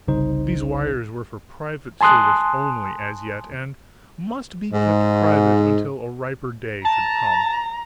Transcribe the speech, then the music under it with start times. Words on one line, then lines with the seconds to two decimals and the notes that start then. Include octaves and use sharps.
These wires were for private service only, as yet, and must be kept private until a riper day should come.
0.08 G1 C2 C#3 D#4 C5
2.01 G#5 A5 C6 D#6 F#6
4.72 G#2
6.85 A5 A#5